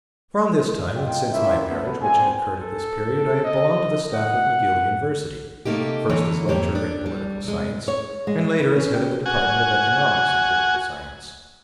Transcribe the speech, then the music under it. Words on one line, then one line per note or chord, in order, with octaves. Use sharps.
From this time, and since my marriage, which had occurred at this period, I have belonged to the staff of McGill University, first as lecturer in Political Science, and later as head of the department of Economics and Political Science.
C#2 A#2 G#3 F4 D#5 G5
C#4 E4 F4 G4 A#4 E5
A2 C#3 E3 A3 B3
G3 C4 G#5
A4
D#5
F#5
C3 A3 A#3 D#4 G4
D3 E3 A#3 C#5
F2 A#3 G4 C#5
D4
G3
C3 G#3
C#5
G#3
B4
C#4
G5
F#4 G#5